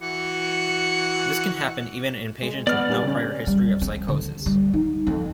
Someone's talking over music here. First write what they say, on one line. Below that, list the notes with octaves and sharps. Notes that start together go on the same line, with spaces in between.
This can happen even in patients with no prior history of psychosis.
E3 F#4 C#7
G#3
B3 D5 F6
G3 D4
C#3 C#4
G3
C4
D3
G3
D#4
F2